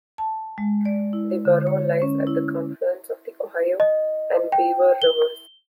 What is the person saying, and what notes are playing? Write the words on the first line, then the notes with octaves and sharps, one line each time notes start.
The borough lies at the confluence of the Ohio and Beaver rivers.
A5
G#3
D5
E4
D3
C#5
C#4
E4
D#5
G5
G7